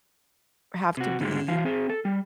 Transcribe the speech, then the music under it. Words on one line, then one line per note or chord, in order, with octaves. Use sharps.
have to be
C3 F#4
G#2 D3 G3 G#3
E3 F#3 F5
C4 G#4
A4
G3